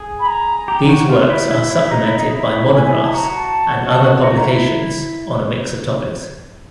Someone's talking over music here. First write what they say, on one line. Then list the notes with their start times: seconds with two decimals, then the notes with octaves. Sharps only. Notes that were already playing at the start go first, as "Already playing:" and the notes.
These works are supplemented by monographs and other publications on a mix of topics.
Already playing: G#4
0.20 B5
0.27 A#5
0.68 G4
0.89 F#4
1.09 F4
1.30 E4
1.51 E4
1.71 E4
1.91 D#4 A#5
2.05 E4
2.19 D#4
2.32 E4
2.73 E4 G#5
2.84 G#5
3.05 A5
3.14 F#4 A#5
3.35 A5
3.96 F#4
4.23 F#4
4.37 E4 A#5